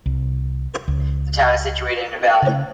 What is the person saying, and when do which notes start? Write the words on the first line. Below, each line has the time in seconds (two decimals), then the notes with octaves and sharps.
The town is situated in a valley.
0.06 C2
0.88 C#2
2.42 C#3